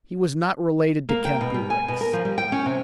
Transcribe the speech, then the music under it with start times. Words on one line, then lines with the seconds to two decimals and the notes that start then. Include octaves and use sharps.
He was not related to Cappy Ricks.
1.09 A#3
1.25 G5
1.41 B2
1.54 G3
1.70 G#5
1.88 B2
2.01 A#4
2.13 F3
2.25 G3
2.38 G5
2.52 C#4
2.66 C3